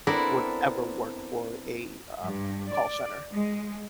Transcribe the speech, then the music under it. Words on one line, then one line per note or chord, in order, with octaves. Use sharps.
would ever work for a, uh, call center.
B3 C4 D4 E4 A4 A#4
G2
D5
G#3